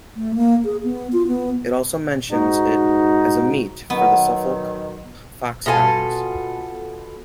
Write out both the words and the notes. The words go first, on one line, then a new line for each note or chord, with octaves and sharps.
It also mentions it as a meet for the Suffolk fox hounds.
A3
A#3
G#4
B3
F4
B3
G#2 D#4 F#4
B2 D#3 F#3 B3
B2 F4 A4 G#5